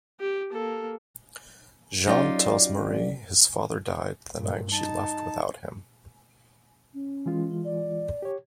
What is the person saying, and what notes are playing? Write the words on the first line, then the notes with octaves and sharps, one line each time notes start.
Jean tells Marie his father died the night she left without him.
G4
A#3 A4
F#3 C#4 D#4 F4 G4 D5
G2 A#2
D#4 A5
C#4
E3 G#3 F4
D5
G4 C#5